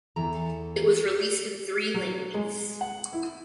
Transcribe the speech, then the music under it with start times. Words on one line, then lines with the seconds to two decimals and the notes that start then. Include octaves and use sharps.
It was released in three languages.
0.16 E2 E3 A4 A#5
1.94 F#3
2.34 G#3
2.81 F#5
3.13 E4